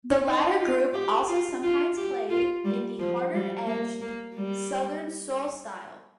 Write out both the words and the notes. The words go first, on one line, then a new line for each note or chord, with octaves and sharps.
The latter group also sometimes played in the harder-edged Southern soul style.
D#4
F4
G4
F4
F4
G4
F4
G3
F3
G3
A#3
A#3
G3